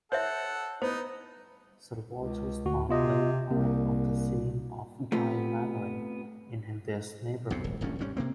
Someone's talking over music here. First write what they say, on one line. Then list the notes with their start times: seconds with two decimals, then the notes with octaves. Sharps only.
Sir Walter Scott laid part of the scene of "Guy Mannering" in this neighborhood.
0.12 A4 C5 C#5 E5 F#5
0.82 B3 D#4 C5
2.17 C#2
2.66 D2 F#4
2.89 C3 B3 F4 D#5
3.51 C2 C3 A#3
5.12 A3 B3 C4 F4 G4
7.50 B1 F2 C3
7.64 D#1 G#1
7.81 D1 A#1 G2 C#4
7.99 G#1 G#2 G3 C#4
8.17 C3 A#3 C4